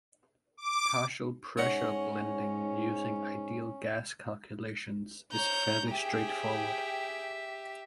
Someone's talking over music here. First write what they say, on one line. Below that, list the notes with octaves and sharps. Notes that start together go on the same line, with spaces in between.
Partial pressure blending using ideal gas calculations is fairly straightforward.
D6
G#2 C#4 C#5 D#5 F#5
C#5 A#5 G6
G4 G#4 E5 G5